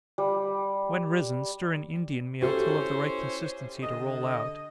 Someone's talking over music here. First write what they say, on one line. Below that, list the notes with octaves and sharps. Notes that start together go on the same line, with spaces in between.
When risen, stir in Indian meal till of the right consistency to roll out.
G3
C#4 E4 G4 A4 C5
D3 D#5